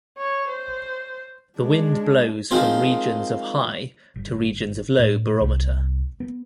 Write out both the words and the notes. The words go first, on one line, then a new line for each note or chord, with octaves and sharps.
The wind blows from regions of high to regions of low barometer.
C#5
C5
G#3 D4
D#3 F3 G#3 C4 C5
G1
A2
C2
B3